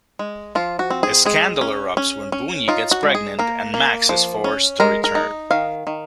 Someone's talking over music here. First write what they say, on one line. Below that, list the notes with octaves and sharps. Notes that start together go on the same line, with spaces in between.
A scandal erupts when Boonyi gets pregnant and Max is forced to return.
G#3
F3 F4
F#4
C4
G#4
G#3 G#4
C#4
C#4
C#4
D#4 F4
F#4
G#3
G#4
A#3 A#4
A#3
F3
C#4
G#3 A#4
A#4
D#4
D#3 F5
D#3